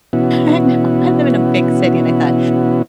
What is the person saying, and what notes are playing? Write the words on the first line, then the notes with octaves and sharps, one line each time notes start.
No, I live in a big city, and I thought,
B2 E3 B3 C#4 E4 F#4